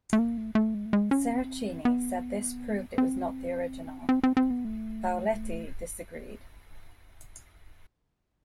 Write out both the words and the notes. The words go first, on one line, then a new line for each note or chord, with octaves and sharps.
Seracini said this proved it was not the original; Paoletti disagreed.
A3
A#3
A3
A3
G#3
A3
G#3
C#4
C4
B3
C4
C4
C4
C4
B3
A3